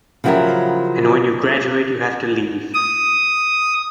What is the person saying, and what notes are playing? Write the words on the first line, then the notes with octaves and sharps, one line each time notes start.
And when you graduate you have to leave.
C#3 F3 F#3 E4 G4 A#4
D#6